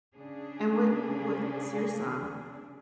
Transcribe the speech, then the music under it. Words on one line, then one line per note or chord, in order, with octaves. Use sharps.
And what what's your song?
C#3 D4 G#4